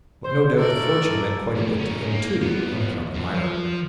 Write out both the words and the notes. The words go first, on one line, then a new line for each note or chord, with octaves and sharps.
But no doubt the fortune meant quite a bit to him too on account of Myra.
C5
A3 A4 A#4 D5
D2 B2
C#4 D#4
A#3
F3 B3
F#2
F3